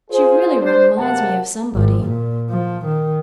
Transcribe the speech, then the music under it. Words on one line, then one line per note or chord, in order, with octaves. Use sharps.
She really reminds me of somebody.
F4 G#4 C5
D4 C5
F#2 C3 A#3 A#4 F#5 A5
G#1
A#2
F3
D#3